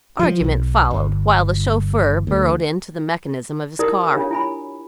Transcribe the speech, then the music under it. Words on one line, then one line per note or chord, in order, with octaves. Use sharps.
Argument followed while the chauffeur burrowed into the mechanism of his car.
F3
B1
G1
D2
D#4 E4 G4 A#4 D5 D#6
D4 F4 G4 C#5
E4 G#5 B5